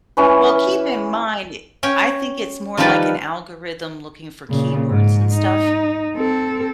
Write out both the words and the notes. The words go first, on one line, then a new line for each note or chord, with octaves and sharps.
Well, keep in mind, I think it's more, like, an algorithm looking for keywords and stuff
E3 C#4 B4
C#4 C#5 G5
D#3 F3 G3 D#4 B4 D5
A#2 C#3
G#2
D#4
C4 A4